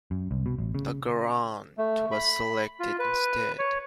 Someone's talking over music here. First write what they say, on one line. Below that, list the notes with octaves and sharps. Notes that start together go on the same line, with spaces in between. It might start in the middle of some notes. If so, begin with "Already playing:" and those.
The Garand was selected instead.
F#2
C2
B2
A1
C#3
A3
B5
F4
B4
C#5